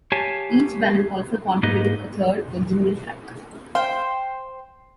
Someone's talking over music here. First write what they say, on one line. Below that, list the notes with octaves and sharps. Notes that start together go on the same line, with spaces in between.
Each band also contributed a third, original track.
G4 C#5 F5 G#5 A5
G#2 A#3 D#4 B4 D#5
C5 F5 G5